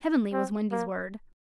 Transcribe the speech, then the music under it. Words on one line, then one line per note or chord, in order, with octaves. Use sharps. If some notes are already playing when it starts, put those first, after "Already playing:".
Heavenly was Wendy's word.
C4
A#3